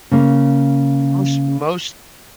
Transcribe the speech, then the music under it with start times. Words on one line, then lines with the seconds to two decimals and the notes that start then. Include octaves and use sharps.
Most most
0.11 C#3 A#3